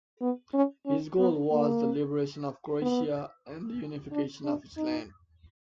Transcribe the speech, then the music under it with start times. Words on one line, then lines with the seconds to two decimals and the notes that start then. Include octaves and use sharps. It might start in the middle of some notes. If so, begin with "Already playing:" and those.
His goal was the liberation of Croatia and the unification of its lands.
0.21 B3
0.54 C#4
0.86 C#4
1.19 B3
1.51 A#3
2.82 B3
4.12 D4
4.44 D4
4.77 D#4